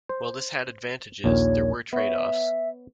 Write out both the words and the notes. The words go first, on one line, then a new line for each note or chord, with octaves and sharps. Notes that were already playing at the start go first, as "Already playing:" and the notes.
While this had advantages, there were trade offs.
C5
A#1 D#2 A#2 C#5
B3 C#5 E5